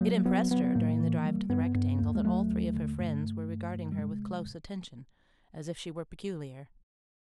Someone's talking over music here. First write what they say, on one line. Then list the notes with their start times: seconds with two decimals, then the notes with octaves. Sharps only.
It impressed her during the drive to the Rectangle that all three of her friends were regarding her with close attention as if she were peculiar.
0.01 F#3 A#3
0.25 F#3 B3
0.51 F#3 B3
0.64 B3
0.75 A2 A#3
1.00 E3
1.25 G3
1.50 G2 B3
1.75 G2 B3
1.99 D#2 A#3
2.15 G#3
2.24 F#3 A3
2.50 D#2
2.74 D3
2.99 G2 A3
3.24 G2
3.49 G2
3.74 G2
3.92 G3
3.98 C3 G#3